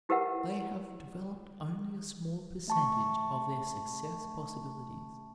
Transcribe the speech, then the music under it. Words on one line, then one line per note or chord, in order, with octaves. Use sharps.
They have developed only a small percentage of their success possibilities.
E4 G4 A#4 B4 E5 F#5
A3 A5 C#6